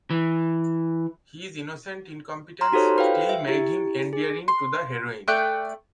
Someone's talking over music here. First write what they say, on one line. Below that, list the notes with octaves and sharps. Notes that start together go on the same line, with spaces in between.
His innocent incompetence still made him endearing to the heroine.
E3
A#5 C6 F6
D#4 F#4 G4 A4 C5 C#5
F4 A4 B4 C5 F5 G5
E5
E4 G4
G#4
C6
A3 D5 G5 F#6